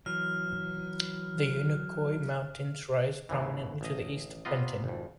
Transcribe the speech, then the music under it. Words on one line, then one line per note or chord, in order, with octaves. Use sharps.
The Unicoi Mountains rise prominently to the east of Benton.
E3 F#3 F6
D#2 G#2 C#3 E3
A1 D#5
C3 B3 F4 D#5
G#1 F2